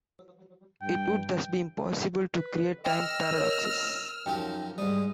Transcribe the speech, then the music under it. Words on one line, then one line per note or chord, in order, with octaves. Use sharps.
It would thus be impossible to create time paradoxes.
G2 G5
B4
D#5 G5 E6 F6
A#4 C#5
F#2 F3 D#4 G4 G5
G#2 G3 D#6